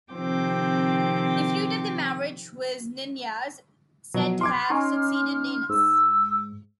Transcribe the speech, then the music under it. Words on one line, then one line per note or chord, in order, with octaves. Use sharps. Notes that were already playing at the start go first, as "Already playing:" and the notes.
The fruit of the marriage was Ninyas, said to have succeeded Ninus.
C3 D#3 F3 C4 G5 D6
B2 F3 F#3
C6 D6 F6 G#6
C#4 D#4
G#2 E6